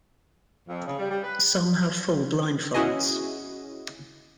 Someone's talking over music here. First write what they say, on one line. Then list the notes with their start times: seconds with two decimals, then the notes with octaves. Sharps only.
Some have full blindfolds.
0.68 F2
0.86 C#3
0.98 G3
1.10 G3
1.23 B4
2.74 C#4 E4 F#4 G#4 D#5